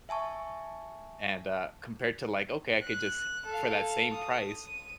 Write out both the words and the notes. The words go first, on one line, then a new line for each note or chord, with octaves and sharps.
And, uh, compared to, like, "Okay, I could just for that same price"
E5 G#5 A5 C#6
F#6
A4 F5
D#6
D#7